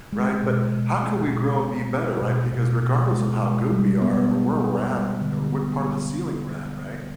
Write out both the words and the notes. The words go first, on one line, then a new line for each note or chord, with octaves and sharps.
right, but how can we grow and be better, right, because regardless of how good we are or where we're at or or or what part of the ceiling we're at, right?
G#3
B2
B2
C4
B2
C4
G#3
B2
B2
B2
G#3
G#3
G3
B3
B3
B3
G3
D3
B3
G3